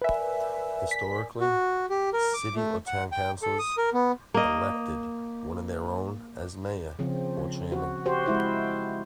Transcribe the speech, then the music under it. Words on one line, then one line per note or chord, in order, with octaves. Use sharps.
Historically, city or town councillors elected one of their own as mayor, or chairman.
A#4 B4 D5 E5 G#5
B6
F#4
G4
A#4
D6
A3
F#5
G5
A4
D#6
A#4
B3
A#3 D#5
C#3 F3 C4
F#4
F#4 G4 C5
G#3 E4 C5